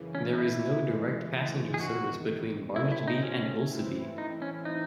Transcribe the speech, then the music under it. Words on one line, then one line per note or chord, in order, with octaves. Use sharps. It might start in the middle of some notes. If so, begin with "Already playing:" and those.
There is no direct passenger service between Barnetby and Ulceby.
Already playing: F#2 C#3 E3
C#4
D#4
E4
A2 E3 G#3
G#4
E2 C3 D#3 F#4
D#3 F#3 A3 C4 E4
E4
D#4
C#4
A2 E3 C4 E4
D#4
C#4
D#4